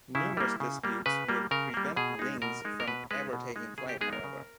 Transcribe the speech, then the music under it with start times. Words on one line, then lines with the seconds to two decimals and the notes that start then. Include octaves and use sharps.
Numerous disputes would prevent Wings from ever taking flight, however.
0.15 C#3 E4
0.37 G3 A#3
0.60 C#3
0.84 G3 A#3
1.06 C#3 B4
1.29 G3 A#3
1.51 C#3 A#4
1.74 G3 A#3
1.97 B2 G#4
2.19 G#3 D#4
2.42 B2 A#4
2.65 G#3 D#4
2.80 A#4
2.88 B2 B4
3.11 G#3 D#4 B4
3.33 B2
3.56 G#3 D#4
3.78 C#3 G#4
3.89 G4
4.01 G#3 B3 D#4 G#4
4.13 A#4
4.24 C#3